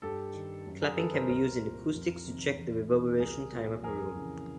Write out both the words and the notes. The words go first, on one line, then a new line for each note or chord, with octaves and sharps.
Clapping can be used in acoustics to check the reverberation time of a room.
G2 G4 A4
D#3
F#2
G#4 A#4
D#3 A4 B4
A#4 C5
C2 A#4 C5
A#2
F2
C3 D#3
E2
C3 E3
C2 G#4 A#4
A#2
F2 G#4 A#4
C#3 E3